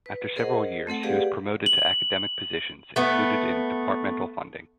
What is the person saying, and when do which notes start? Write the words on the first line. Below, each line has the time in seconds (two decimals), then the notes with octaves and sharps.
After several years, he was promoted to academic positions included in departmental funding.
0.06 B4
0.36 G#4 A#4 C5 D#5 F#5
0.87 A3 C4 A4 F#5
1.03 G4 G#4 B4 D5 F5 F#5
1.66 F#7
2.96 A3 B3